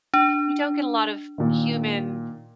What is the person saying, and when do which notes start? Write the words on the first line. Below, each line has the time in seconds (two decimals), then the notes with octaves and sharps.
you don't get a lot of human
0.14 D4
1.38 A#2 D#3